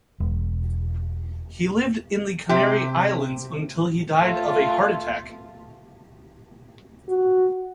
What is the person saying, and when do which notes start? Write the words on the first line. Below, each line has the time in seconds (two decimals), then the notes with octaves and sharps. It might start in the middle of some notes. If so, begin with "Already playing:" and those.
He lived in the Canary Islands until he died of a heart attack.
0.20 E1
2.49 C3 G4
4.20 A3 F4
7.09 F#4